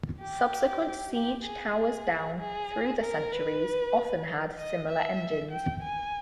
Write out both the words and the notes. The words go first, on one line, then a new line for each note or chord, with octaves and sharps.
Subsequent siege towers down through the centuries often had similar engines.
G4
G4
G#4
G#4
A#4
B4
D#5
E5
G5
G#5